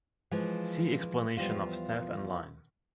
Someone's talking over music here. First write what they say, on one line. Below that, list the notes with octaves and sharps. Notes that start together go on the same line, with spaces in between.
See explanation of staff and line.
E3 F3 G#3
E2 F3 G3 F4